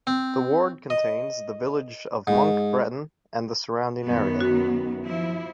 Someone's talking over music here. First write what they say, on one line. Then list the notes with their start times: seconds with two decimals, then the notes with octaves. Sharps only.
The ward contains the village of Monk Bretton and the surrounding area.
0.07 C4
0.90 D#5
2.27 G#2
4.07 F#2 D#3 B3
4.40 F#4
5.03 F3 E4